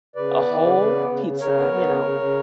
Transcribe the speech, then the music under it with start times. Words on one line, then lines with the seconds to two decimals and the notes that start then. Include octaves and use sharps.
a whole pizza, you know,
0.15 C#3 B4 D5
0.31 B3
0.47 E3
0.62 C#3
0.78 C#3
0.94 B3
1.10 C#3
1.25 C#3
1.41 C#3 A#4 C#5
1.57 B3
1.72 B3
1.88 C#3
2.03 C#3
2.19 C#3